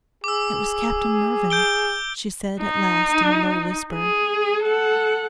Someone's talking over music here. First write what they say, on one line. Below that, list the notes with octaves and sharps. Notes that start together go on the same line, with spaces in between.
"It was Captain Mervyn," she said, at last, in a low whisper.
G#4 D6 E6
G6 D7 G7
D#4
G#4
A4 F#5